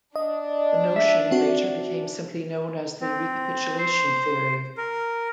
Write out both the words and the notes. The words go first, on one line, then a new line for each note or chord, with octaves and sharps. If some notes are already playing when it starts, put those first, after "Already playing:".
The notion later became simply known as the recapitulation theory.
D4 D#5
E5
C4 F#4
C4
C5
A#4